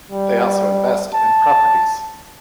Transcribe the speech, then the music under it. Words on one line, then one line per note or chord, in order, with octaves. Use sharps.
They also invest in properties.
G3
A5